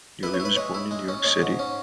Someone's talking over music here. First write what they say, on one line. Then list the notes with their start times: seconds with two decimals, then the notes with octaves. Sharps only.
Newley was born in New York City.
0.23 E4 B4
0.34 C#5
0.40 E4
0.45 B4
0.57 G#3 C#5
0.74 E4
0.91 G#3
1.08 C#4
1.24 G#3 C#5
1.42 G#2
1.59 C#4